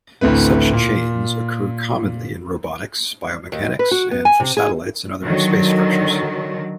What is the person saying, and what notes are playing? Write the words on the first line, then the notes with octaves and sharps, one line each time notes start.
Such chains occur commonly in robotics, biomechanics, and for satellites and other space structures.
A1 D2 A3 C4 B4
A#2
D#2
B4
F#4
B3
G#5
C3
G#4
D3 D#3 F#3